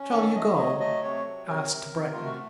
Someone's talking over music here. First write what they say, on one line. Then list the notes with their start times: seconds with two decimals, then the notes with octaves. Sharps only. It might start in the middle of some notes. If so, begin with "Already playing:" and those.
"Shall you go?" asked Breton.
Already playing: C#4
0.12 D#3 A4
0.35 A3 D#5
0.57 F#3 D#5
0.80 A3 D#5
1.03 C3 C#5
1.26 F#3
1.48 C3 A#4
1.70 C3
1.93 C3
2.13 A3 F4
2.25 F#4